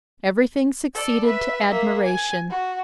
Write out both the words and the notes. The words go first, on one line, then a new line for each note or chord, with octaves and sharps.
Everything succeeded to admiration.
A4 D5
B4 E5
A#3 E5
G#5
F#4